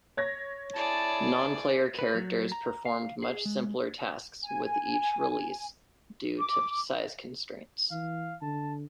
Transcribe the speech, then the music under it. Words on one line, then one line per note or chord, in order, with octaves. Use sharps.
Non-player characters performed much simpler tasks with each release due to size constraints.
C#5 G#6 A#6
E4 G#4 D5 A5
B4
F#3
A#5
F5
G#4
G#3
G#5
D6
E3 F5
D3 A5